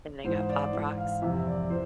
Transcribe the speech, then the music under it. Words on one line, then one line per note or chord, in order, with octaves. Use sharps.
And they got Pop Rocks.
G#2 E3 C5
D5
G#2 E3
F5
F2 C3 E3 E5
D5
E3 C5